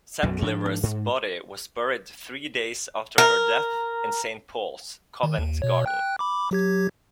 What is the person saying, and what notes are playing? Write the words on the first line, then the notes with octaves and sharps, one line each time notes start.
Centlivre's body was buried three days after her death in Saint Paul's, Covent Garden.
B1 F#2 B2
G#2 F3 D4
G#2
A#4
D#3
D#2
B2 C#5
G5 F#6
B5 D6
F#3 G4 G#6